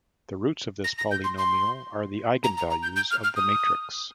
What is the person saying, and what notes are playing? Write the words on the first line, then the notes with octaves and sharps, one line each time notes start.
The roots of this polynomial are the eigenvalues of the matrix.
A#6
A#6
G6
C6
C6
A#5
A#5
A#5
G6
G6
F6
F6
D#6